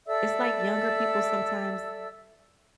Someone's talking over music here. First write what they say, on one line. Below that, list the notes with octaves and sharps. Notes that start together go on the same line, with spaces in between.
It's like younger people sometimes
A4 D5 E5 E6